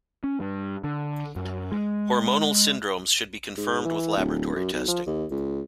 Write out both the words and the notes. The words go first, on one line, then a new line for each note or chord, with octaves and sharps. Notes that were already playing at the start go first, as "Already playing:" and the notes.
Hormonal syndromes should be confirmed with laboratory testing.
C#4
G2
D3
F#2
G#3
G#2
E3
D1
F#2
B1
F3
D#2
C#2